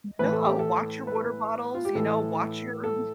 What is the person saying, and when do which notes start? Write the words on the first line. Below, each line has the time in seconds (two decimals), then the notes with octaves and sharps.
No, "Watch your water bottles, you know? Watch your" mm.
0.19 A2 E3 B4
0.33 A4
0.45 G4
0.59 A4
1.07 B4
1.75 F4
1.85 G4
1.95 A2 E3 A4
2.84 A4